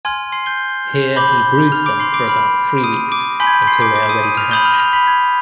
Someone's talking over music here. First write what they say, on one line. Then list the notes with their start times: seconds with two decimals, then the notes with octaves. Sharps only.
Here he broods them for about three weeks until they are ready to hatch.
0.05 G#5 C6 F6 G#6
0.32 C6 C7
0.46 G6 G7
1.16 B5 D6 G6 G7
1.72 F6 F7
1.86 D6 D7
2.00 C6 C7
2.14 D6 D7
2.28 B5 F6
2.77 D7
2.84 D#6 D#7
3.12 D6 D7
3.40 G#5 B5 C6 G6 B6
3.47 G#6
3.54 G6
3.67 C6 C7
3.82 D6 D7
3.95 D6 D7
4.09 D#6 D#7
4.23 D#6 D#7
4.37 F6 F7
4.51 B5 D#6 G6 G7
4.65 F6 F7
4.79 F6 F7
4.93 B5 B6
5.07 G#6